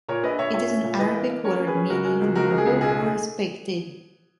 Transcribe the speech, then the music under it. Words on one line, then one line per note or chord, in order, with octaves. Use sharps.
It is an Arabic word meaning 'noble' or 'respected'.
A#2 A#4 C#5
A#1 B4 D#5
A#1 C#5 E5
A#2 C#5 E5
C#4
A#2
E3 B4 D#5
A#3
A#3
C#4 A#4 C#5
C#4
G#4 B4
C#4
C#2 F#4 A#4
G#3
C#2
C#2 F#4 A#4
C#2
G#4
C#2
B1 G#4